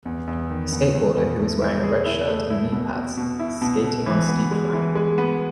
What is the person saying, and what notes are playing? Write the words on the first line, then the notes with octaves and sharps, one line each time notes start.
A skateboarder who is wearing a red shirt and knee pads is skating on a steep ramp.
E2
E2
D#3
E2
E2
E2
A3
E4
G#4
E4
A3
E4
B2
B2
B2
E4
B2
B2
E3
B3
G#3
E3
G#3
B3